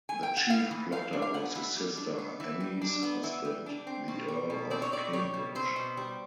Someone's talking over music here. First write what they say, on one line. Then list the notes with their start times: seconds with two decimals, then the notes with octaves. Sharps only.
The chief plotter was his sister Anne's husband, the Earl of Cambridge.
0.09 G#5
0.23 G5
0.37 F#5
0.50 B3 F5
0.71 E3
0.92 G3 F5
1.13 D4
1.22 F5
1.34 B3 F#5
1.55 E3
1.76 G3
1.97 D4
2.18 B3
2.40 E3
2.60 G3
2.82 D4
3.03 B3
3.23 E3
3.45 G3
3.66 D4
3.87 C4
4.08 B2
4.28 G3
4.50 B2
4.70 C4 D5
4.82 C#5
4.92 B2 D5
5.13 G3 C#5
5.34 B2
5.55 C4 C5
5.76 B2
5.97 G3